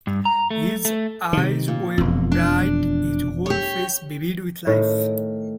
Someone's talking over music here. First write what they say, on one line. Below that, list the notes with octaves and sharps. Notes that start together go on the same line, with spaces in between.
His eyes were bright, his whole face vivid with life.
G2
A#5
A3
A3
C3 D#3
A#2
E1 F2
D4
G4 C#5
A2 D#3